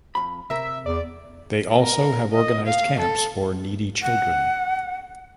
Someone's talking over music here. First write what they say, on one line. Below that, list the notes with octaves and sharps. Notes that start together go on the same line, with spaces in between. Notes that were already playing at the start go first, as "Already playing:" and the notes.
They also have organized camps for needy children.
F2 B5
C3 A#4 E5
E2 D5
A#4
D#5
F5
A4
F#5